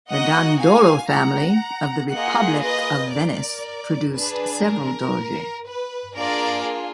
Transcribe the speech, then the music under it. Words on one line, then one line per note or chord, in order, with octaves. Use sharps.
The Dandolo family of the Republic of Venice produced several Doges.
A#3 D#4 F#4 D#5 F#5
F5 G#5
F#5 A#5
A#3 F4 G#4 D#5 F#5
B4 D#5
A#4 D5
D4 G#4 B4
A#4
B4
A#3 D4 F4 G#4 A#4 D5